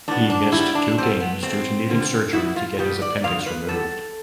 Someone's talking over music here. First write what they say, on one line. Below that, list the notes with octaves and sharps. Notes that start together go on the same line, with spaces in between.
He missed two games due to needing surgery to get his appendix removed.
A2 G3 B3 D4
D4
A2 G3 B3 E4
D4
C3 G3 B3 C4
B3
B2 A3 C4
D3 G3 B3
B2 G3 B3 E4
F4
B2 G3 B3 G4
D5
D3 F3 B3 F5
B4
A2 G3 B3 A4